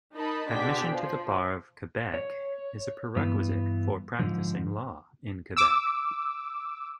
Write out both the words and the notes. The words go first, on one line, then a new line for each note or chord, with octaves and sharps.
Admission to the Bar of Quebec is a prerequisite for practising law in Quebec.
D#4 A#4 D#5 A5 B5
B2 D3 D4 G#4 G5 B6
F3
C#5
G2 E3 B3
G#2 D3 F3
D6 E6